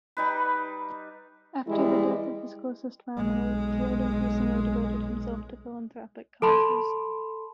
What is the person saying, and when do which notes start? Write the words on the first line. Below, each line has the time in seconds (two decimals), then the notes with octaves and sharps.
After the death of his closest family, Caird increasingly devoted himself to philanthropic causes.
0.17 G3 D#4 B4
1.67 E3 G3 G#3 E4
3.17 B1 G#3
6.42 A4 A5 B5 C6